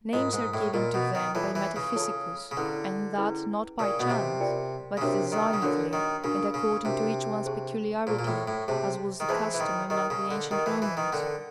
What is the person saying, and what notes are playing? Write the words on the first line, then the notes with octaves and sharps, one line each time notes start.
Names are given to them by Metaphysicus, and that not by chance, but designedly, and according to each one's peculiarity, as was the custom among the ancient Romans.
G#2 F4 A#4 D#5
G#2
A2
A#2 F4 A#4 D#5
B2
D#3
E3 F4 A4 C#5 E5 A5
E3
C#3
F4 A4 C#5 E5 A5
C#3
D3 C#4 E4 G#4 B4 E5
C#4 E4 G#4 B4 E5
C#3 F4 A#4 D5 G5
B2
C3
F4 A#4 D5 G5
C#3
C3 D4 F#4 A#4 C#5
D#3
C#3
D3 D4 F#4 A#4 C#5
D#3
C#3 D4 F#4 A#4
C#3
C3 D4 F#4 A#4
G#4 C5 F5 A5 C#6
A#2 G#4 C5 F5 A5 C#6
A#2
A2
A2
C3 G#4 C5 E5 A5 C6
D#3
E3 G#4 C5 E5 A5 C6
E3
D#3
D#3 G4 A#4 D#5
C#3
D3
D#3 G4 A#4 D#5
E3
E3
D#3
D3 A#4 D5 G5 B5